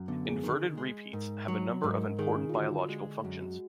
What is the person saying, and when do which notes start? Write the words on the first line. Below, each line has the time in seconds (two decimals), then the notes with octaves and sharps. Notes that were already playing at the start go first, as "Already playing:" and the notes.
Inverted repeats have a number of important biological functions.
Already playing: F#2
0.08 D3 B3
0.25 G#4
0.43 D#3
0.78 G#3
1.13 G#2 A#4
1.48 F#3
1.83 G#2 A#4
2.19 D#3 G#4
2.49 F4
2.54 D3 F#4
2.89 G#3
3.24 F#2 F#4
3.42 F#4